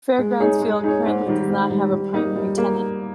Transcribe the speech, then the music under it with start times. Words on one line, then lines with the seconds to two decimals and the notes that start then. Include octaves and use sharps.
Fair Grounds Field currently does not have a primary tenant.
0.18 G#3
0.40 D#4 G#4 C#5
0.62 G#3
0.84 D#4 G#4 C#5
1.06 G#2
1.26 D#3 G3
1.49 G#2
1.70 D#3 G3
1.92 G3
2.14 A#3 D#4
2.36 G3
2.58 A#3